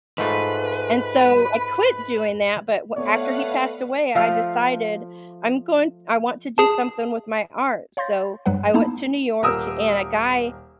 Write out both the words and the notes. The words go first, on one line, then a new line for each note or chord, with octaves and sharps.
And so I quit doing that, but w after he passed away, I decided I'm going I want to do something with my art. So, I went to New York, and a guy
G#2 A3 F4 B4
A3 B3 B4 C#5 D5 F5 F#5
F3 A3 F5
G#4 A5
C#5 F5 C6 G6 A6 A#6
G2 F#3 G3 B4 F#5
A#3 B3 D#4 E4 A5
D#1 A#4 D#6 E6